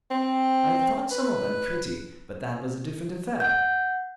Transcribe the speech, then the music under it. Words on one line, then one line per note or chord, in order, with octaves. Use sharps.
I thought some of them pretty--but that was a different affair.
C4
B4
F#5 G6